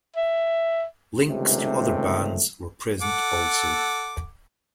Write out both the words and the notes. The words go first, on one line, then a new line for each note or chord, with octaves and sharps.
Links to other bands were present also.
E5
C#2 C3 D#3 G3 A3
A4 F#5 D6